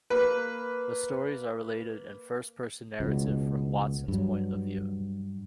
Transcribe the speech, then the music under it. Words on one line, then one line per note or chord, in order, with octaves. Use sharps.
The stories are related in first-person narrative from Watson's point of view.
A#3 B4
C#2 B2
G2 F#3